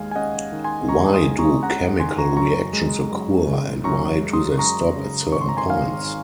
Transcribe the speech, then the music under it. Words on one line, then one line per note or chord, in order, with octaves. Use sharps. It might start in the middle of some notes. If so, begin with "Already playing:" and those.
Why do chemical reactions occur, and why do they stop at certain points?
Already playing: D#2 G#3 F5 G#5
G#5
C#4 D#5 F#5
D#3
G#5 C6
D#2 A#5 C#6
C6 D#6
G#3
A#5 C#6
C#4 F#5 A#5
D#3 G#5 C6
A#5 C#6
F#2 A#5 C#6
G#3
F#2
C#3
F#2 A#5 C#6
G#3
C6 D#6
F#2 A#5 C#6
C#3
G#1 C#6
C6
A#5
G#5 C6
D#3 F5 G#5